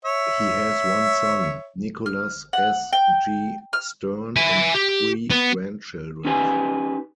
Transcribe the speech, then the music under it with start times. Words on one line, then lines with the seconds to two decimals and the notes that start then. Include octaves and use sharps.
He has one son, Nicholas S. G. Stern, and three grandchildren.
0.05 C#5 E5
2.06 F6
2.53 F#5
2.93 G5
3.73 F6
4.36 E5 G#5
4.75 G4
5.30 B3
6.25 C#4 D#4 G4 B4 G#5